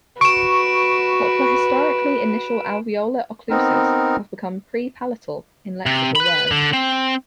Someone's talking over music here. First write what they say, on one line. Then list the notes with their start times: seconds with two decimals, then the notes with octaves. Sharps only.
What were historically initial alveolar occlusives have become pre-palatal in lexical words.
0.21 F#4 B4 C#6 D7 E7
3.50 B3 C4 D#4 A#4
5.86 C3
6.16 B4 B5
6.51 D3
6.73 C4